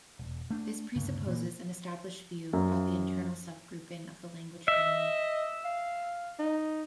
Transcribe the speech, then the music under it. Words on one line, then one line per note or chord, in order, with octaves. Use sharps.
This presupposes an established view about the internal subgrouping of the language family.
E1
A3 D4
D2 G2 C#3
A#2 E3 A#3
F#2
D#5 E5
F5
D#4